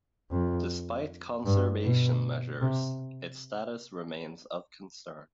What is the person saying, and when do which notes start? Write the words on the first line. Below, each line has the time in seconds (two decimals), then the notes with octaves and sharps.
Despite conservation measures, its status remains of concern.
0.31 F2
1.45 G2
1.84 B2
2.61 C3